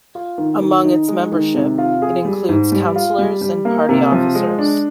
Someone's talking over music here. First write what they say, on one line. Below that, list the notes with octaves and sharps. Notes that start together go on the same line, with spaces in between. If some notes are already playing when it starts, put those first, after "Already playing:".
Among its membership, it includes councillors and party officers.
F4
D#3
D#3
D#4
G#3
D#3
C3
F4
G#4
G3
G#2
G3
F4
G3
G3
A#3
C3
F3
G#3
D4